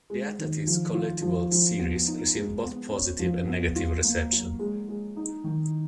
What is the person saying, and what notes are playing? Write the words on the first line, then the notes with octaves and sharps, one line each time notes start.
The Attacktix collectible series received both positive and negative reception.
G#3
D#3
F3
F4
F3
F3
B3
D#4
G#3
B3
C#4
F3
B3
F4
A#3
F#3
G#3
G#3
D#4
D#3